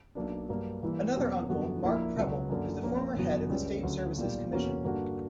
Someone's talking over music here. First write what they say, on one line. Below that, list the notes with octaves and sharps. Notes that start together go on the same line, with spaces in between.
Another uncle, Mark Prebble, is the former head of the State Services Commission.
B1 B2 A#3 D4
G2 F#3 A#3
G2 E3 A#3 E4
E2 B2 F#3 A#3 C#4
F#2 D3 G3 B3 F#4
A#1 A#2 A#3 E4
C#2 B2 F#3 B3
F#2 D3 F#3 A#3
A#1 A#2 A#3 C#4
G1 F#2 E3 B3 F#4
C#2 C#3 G3 C#4
D2 C#3 F#3
B1 A#2 G3
E2 B2 A#3 C#4 F#4
G2 D3 A#3 D4 F#4